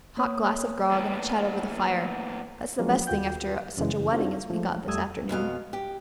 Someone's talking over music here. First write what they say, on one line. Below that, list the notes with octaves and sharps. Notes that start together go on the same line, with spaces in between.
Hot glass of grog and a chat over the fire: that's the best thing after such a wetting as we got this afternoon.
A#3 C#5 D#6
E2 A2
F3 F#3 G#3 A#3 C#4 F#4
D#2 F4 F#4 G5 G6
F#2 C#3 E3 G#3
C4 D4 D#4 F4 F#4
F3 G#3 A3
F2 G3 A3 D#6 E6 G#6
F2 B2 G#4 F5
G4